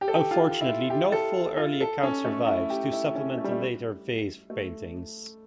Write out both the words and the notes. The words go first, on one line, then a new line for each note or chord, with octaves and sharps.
Unfortunately no full early account survives, to supplement the later vase-paintings.
G4
A4
G4
F4
E4
G4
A4
F4
A4
C#4
A3
E4
G4
E4
C#4
A3
G3
A3
A3